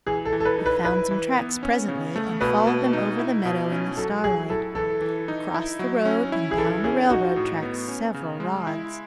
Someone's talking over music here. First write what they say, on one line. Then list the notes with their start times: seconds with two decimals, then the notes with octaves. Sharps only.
He found some tracks presently, and followed them over the meadow in the starlight, across the road, and down the railroad track several rods.
0.06 E3 G#4
0.25 A4
0.33 E3
0.40 A4
0.45 B4
0.58 D#4
0.66 B4
0.84 E4 B4
1.11 E3
1.37 B3
1.63 C#4
1.88 C#3
2.16 A3
2.40 B2 B4
2.67 B2
2.93 D#4
3.19 E4
3.45 B2
3.72 C#4
3.97 F#3 A4
4.24 F#3 G#4
4.50 E4 A4
4.75 E3 A4
5.01 E3
5.28 D#4
5.54 E4
5.79 F#3
6.05 C#4
6.32 E4
6.51 G#4
6.58 E3 A4
6.84 C#4 G#4
7.10 D#4 F#4
7.36 A2
7.62 B3
7.88 C#4
8.14 C#3
8.40 G#3
8.67 E4